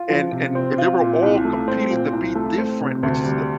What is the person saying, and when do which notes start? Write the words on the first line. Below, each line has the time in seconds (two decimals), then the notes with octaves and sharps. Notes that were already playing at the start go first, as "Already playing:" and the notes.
And and they were all competing to be different, which is the
Already playing: F4
0.10 F3
0.32 C3
0.55 C4
0.78 F4
1.00 A#2
1.22 C2
1.45 A3
1.68 C4
1.90 A#2
2.13 C2
2.35 A3
2.58 C4
2.81 C3
3.03 D2
3.25 G3